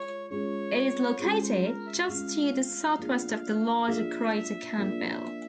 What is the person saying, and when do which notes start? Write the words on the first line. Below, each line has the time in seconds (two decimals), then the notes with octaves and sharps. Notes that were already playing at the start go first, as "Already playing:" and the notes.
It is located just to the southwest of the larger crater Campbell.
Already playing: G#3 F4 C#5
0.30 G#3 C#4 F4 G#4 C#5
1.20 G#3 C#4 F4 G#4 C5
1.42 C5
1.65 A#4
1.87 E5
2.02 E5
2.09 G#3 C#4 F4 G#4 F5
2.98 F3 A#3 D4 F4 G#4
3.87 F3 A#3 D4 F4 G#4 E5
4.78 F3 A#3 D4 F4 G#4